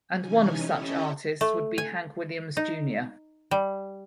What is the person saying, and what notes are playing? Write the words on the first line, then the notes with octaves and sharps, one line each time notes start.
And one of such artists would be Hank Williams Jr.
C3 E3 C#4 D#4 G#5
C#4 E4 G4 A4 D#5 E5
A3
G#5
D#4
G3